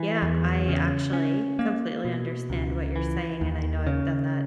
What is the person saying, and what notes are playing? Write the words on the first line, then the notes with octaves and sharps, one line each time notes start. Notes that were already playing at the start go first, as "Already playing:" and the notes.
Yeah, I actually completely understand what you're saying, and I know I've done that
Already playing: E3
E2
C#3
C#4
A#3
B2
C#2
E3
D#2
C#3